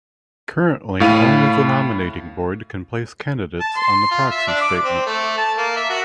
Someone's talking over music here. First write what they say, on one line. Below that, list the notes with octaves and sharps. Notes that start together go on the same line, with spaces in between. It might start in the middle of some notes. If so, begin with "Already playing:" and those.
Currently, only the nominating board can place candidates on the proxy statement.
A2 F5 B5 D#7
A5
C6
F4
E5
D4
D6
C4
A3
A5
A#3
E5
F#4